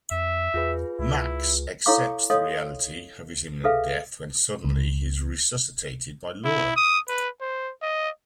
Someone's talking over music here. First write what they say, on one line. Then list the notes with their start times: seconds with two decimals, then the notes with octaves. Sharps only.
Max accepts the reality of his imminent death when suddenly he's resuscitated by Laura.
0.11 F2 E5
0.54 E2 F4 G#4 B4
0.99 C#2 E4
1.86 E4 A4 C#5 F5 C#6 D6
2.30 A4 C#5 D#5 F5 C6 D#6
3.64 G#4 A4 B4 E5 F5
4.64 C#2
6.44 E4
6.76 D#6
7.08 B4
7.41 C5
7.82 D#5